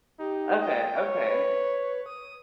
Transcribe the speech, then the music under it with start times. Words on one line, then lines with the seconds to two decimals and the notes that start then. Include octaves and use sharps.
Okay, okay,
0.19 D#4 G4
0.61 D#5 G5
0.97 C#5
1.29 B4
2.06 D#6